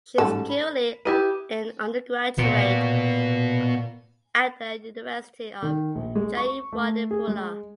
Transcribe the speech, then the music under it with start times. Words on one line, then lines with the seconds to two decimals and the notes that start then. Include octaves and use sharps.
She is currently an undergraduate at the University of Jayewardenepura.
0.18 A1 G#2 G3 A4
0.49 B5
1.05 E4 G4 B4 G5 D#6 D#7
2.38 A#2 B3 F#4
5.62 D#3
5.95 A#1
6.16 G#3
6.37 C#6
6.73 A3
7.11 G#4
7.28 G#3